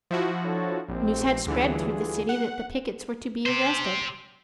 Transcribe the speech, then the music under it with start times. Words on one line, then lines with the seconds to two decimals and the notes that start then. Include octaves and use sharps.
News had spread through the city that the pickets were to be arrested.
0.11 F3 E4 F#4
0.44 D4 A4 C#5
0.88 A#1 D#2 C4
1.46 D2 D3 E3 G3 F4 G#4
2.29 F#5
3.46 G4 C5